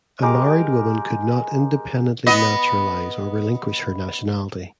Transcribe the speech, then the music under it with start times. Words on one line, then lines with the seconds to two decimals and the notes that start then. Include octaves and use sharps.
A married woman could not independently naturalize or relinquish her nationality.
0.22 G#3 G4 A#4 D6
2.26 B3 D#5